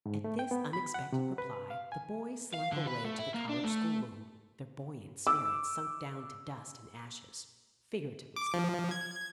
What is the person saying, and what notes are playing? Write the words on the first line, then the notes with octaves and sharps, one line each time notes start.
At this unexpected reply, the boys slunk away to the college schoolroom, their buoyant spirits sunk down to dust and ashes--figuratively speaking.
G#2
A3
G5
B3
B5
F#5
C3
B4
F5
G#5
F5
D3
B4
A3
E4
A#3
D4
A3
D6 E6
D6
F3
G#6